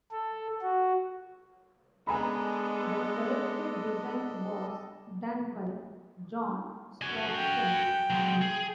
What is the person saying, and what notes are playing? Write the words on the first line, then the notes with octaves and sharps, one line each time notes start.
The selected design was done by John Sproston.
A4
F#4
G#3 B3 D4 A4 D#5 G#5 A#5 B5
F#4 G#5
G5
F#3 G#3
G#4